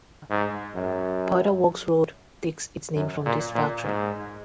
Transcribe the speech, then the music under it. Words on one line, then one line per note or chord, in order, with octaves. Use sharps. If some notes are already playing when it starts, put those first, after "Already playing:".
Powder Works Road takes its name from this factory.
G#2
F#2
F#2
A#2
A#2
G#2